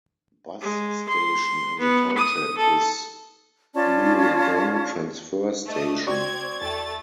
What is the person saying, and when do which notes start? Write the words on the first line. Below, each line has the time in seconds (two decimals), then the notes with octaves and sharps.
Bus station in the township is Luodong Transfer Station.
0.61 G#3
1.09 C6
1.79 B3
2.17 D#6
2.57 A4
3.74 C#4 F4 D5 A5
5.68 A3 D5 D#5 D#6 A6
6.06 C4 F#4 D5 C#6 G#6
6.62 E2 A3 A4 G5 A6